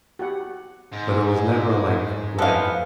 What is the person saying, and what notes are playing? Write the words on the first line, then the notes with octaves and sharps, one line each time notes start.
but it was never, like uh, like,
F#4 G4 F#5
G#2
A2 E3 B3 A4 C5 D#5 F5